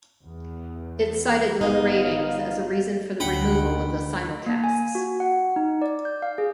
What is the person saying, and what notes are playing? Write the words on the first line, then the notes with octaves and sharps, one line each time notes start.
It cited low ratings as a reason for the removal of the simulcasts.
E2
G1 B3 D#4 F5
D2 D4 F#5 G5 B5
A#3
G#5
F#4
F#5
D#4
D5
G6
F5
G#4